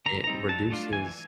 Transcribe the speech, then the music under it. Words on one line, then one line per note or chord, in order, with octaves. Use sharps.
it reduces
D3 A#5
A#5
G3 C4 D#4
F#3 A5
A3 D4 F4
E3 G#5